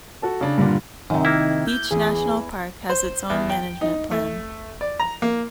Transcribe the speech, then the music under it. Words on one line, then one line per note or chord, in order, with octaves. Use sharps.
Each National Park has its own management plan.
F#4 A4 A5
C#3 D4
G2 A#2 D3 D4 F4
F#2 C3 D#3 D#4
A#3 E4
G6
E2 E3 G#4
C5
E2
G5
D#4
A3
D5
A#5
A#3